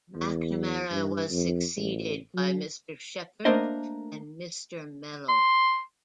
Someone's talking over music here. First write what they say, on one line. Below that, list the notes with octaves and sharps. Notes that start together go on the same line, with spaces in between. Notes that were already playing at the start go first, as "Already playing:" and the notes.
McNamara was succeeded by Mr Shepherd and Mr Mellor.
E2
G2
F2
A1
F#3
A3 A#3 D4 A#4 C5 D#5
C6